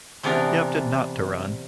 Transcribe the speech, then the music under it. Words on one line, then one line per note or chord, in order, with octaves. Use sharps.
He opted not to run.
C3 E3 B3 D4 A#4